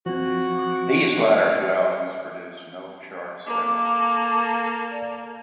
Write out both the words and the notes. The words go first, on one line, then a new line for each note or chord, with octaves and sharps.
These latter two albums produced no chart singles.
F3 C4 F#4
A#3 A4 D6
D5